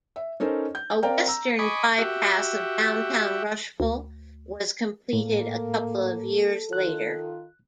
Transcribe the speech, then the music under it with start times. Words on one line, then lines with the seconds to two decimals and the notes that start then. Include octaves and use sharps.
A western by-pass of downtown Rushville was completed a couple of years later.
0.16 E5
0.40 C#4 D#4 A4 A#4 C5
0.75 G6
1.03 C4 A#4 D5 F5 G5 A#5
1.27 A#5 E6
1.59 D#5 G#5 B5 C#6 D6
1.99 F#4 G4 E5
3.80 D2
5.13 A2 A#3 A4
6.73 D#3 F4 F#6